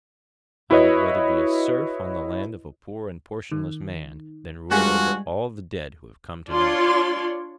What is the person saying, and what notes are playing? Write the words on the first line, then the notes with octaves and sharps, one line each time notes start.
'I would rather be a serf on the land of a poor and portionless man than rule over all the dead who have come to nought.'
E4 F#4 B4 C#5 D#5
D#3
G2 G3 G#3 F4 F#4 G#5
D4 F4 C#5 D5 C6